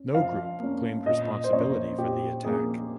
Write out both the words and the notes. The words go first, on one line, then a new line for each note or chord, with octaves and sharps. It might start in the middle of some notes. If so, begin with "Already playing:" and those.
No group claimed responsibility for the attack.
Already playing: C#4
F3 F5
A#3 C#4
A#2 D#5
C5
F3 A#3 C#4 C#5
A#2 G4
F3 A#3 C#4 G#4